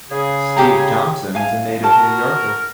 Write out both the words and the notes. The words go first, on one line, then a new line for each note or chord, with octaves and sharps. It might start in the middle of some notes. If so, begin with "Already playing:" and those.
Steve Thompson is a native New Yorker.
C#3 G#4
G4 G5 A#5
E5 F5 G#5
F#4 A#4 A5